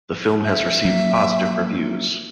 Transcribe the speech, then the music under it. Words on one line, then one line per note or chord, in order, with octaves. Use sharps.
The film has received positive reviews.
E5
F#3 A#3